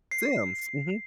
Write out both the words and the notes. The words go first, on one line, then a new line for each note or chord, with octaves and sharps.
Sims, mhm.
C7